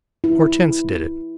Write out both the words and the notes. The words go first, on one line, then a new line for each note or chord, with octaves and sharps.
"Hortense did it."
E4